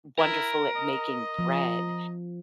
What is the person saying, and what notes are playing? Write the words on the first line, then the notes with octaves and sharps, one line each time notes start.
wonderful at making bread,
E4 A#4
D#5
F3